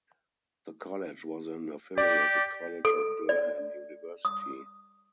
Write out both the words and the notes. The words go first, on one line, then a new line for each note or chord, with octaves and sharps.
The college was an affiliated college of Durham University.
G4 D5
A4
D5
D#6